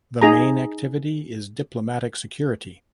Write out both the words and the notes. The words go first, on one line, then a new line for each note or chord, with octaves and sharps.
The main activity is diplomatic security.
D#4 G#4 A#5